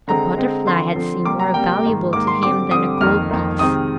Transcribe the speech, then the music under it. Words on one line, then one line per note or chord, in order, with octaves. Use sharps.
A butterfly had seemed more valuable to him than a gold piece.
D3 G#3 C4 A#5
D3 G#3 C4
D3 F3 C4 C6
D3 F3 C4
C3 G3 A#3 D6
A#5
C3 G3 A#3 G5
G#2 D#3 A#3
G#2 D#3 A#3 D6
C6
D3 G3 C4 D6
D3 G3 C4 D#6
F2 D#3 A#3 F6
F2 D#3 A#3
C3 D#3 G#3 C4 D#6